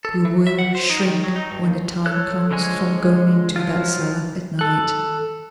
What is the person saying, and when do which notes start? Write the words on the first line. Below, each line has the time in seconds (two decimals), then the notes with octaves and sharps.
"You will shrink, when the time comes, from going into that cellar at night."
0.05 A4
0.25 E3
0.47 E5
0.59 F#5
0.75 C5
0.90 D#4
1.06 D#3
1.24 F#3
1.36 D#4
1.51 G2
1.64 D#2
2.06 A4 C#5 F#6
2.51 D3 F3 G#3 C#5 G#5
3.56 F3 F#3 F4
4.59 A4 F#6